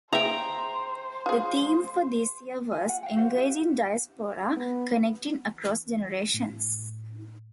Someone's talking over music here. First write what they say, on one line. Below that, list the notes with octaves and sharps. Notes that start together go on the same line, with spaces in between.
The Theme for this year was "Engaging Diaspora: Connecting Across Generations".
G#4 C5 E5 G5 A#5
F4 G#4
G#5
F4 F#5
F5 G5
F#4 C5 F5 F#5
E4 G4 B4 E5
B3
A2